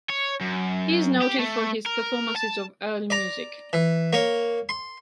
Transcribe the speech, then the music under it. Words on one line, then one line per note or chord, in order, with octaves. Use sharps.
He is noted for his performances of early music.
C#5
F#2
G4
A3
A#4
A5
D5 A#5
E3
A#3 C#5
C6